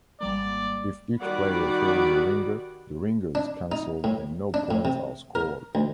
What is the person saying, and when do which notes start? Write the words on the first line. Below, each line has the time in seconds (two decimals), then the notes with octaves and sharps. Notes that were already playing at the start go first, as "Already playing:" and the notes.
If each player throws a ringer, the ringers cancel and no points are scored.
0.21 G#1 G3 A#3 D5
1.18 D#3 G3 F#4 D5 F#5 B5
3.35 D4
3.72 D#4
4.04 A2
4.54 D4
4.71 A2
4.85 C3
5.35 A#4
5.75 D2